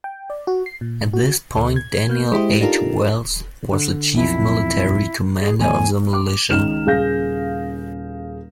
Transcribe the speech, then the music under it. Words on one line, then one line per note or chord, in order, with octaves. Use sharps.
At this point Daniel H. Wells was the chief military commander of the militia.
G5
D5
F#4
C7
A#2
F#4
D2
G#6
A#3 G6
G#3 E4 G4 C5
D4 D#4 F4 G4 A4 A#4
D3
B1 F2 E4
G#4
E2 A2 G#5
D6
C#2 D#3 F6 E7
D#1 C#3 G#4 F5 G6 A#6